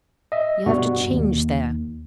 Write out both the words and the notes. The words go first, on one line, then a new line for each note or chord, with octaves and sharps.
You have to change there.
D#5 E5
G2 B2 G3 F#4
D#2